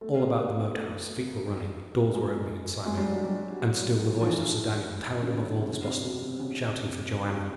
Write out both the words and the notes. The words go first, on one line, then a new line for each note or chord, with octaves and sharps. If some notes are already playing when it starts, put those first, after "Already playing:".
All about the Moat House feet were running, doors were opening and slamming, and still the voice of Sir Daniel towered above all this bustle, shouting for "Joanna."
A3
B3
A#3
A3
A3
G#3
G#3
G3
F#3
G3
F3
E3
C#3
D3
C3
C#3
C3
B2
C3
C#3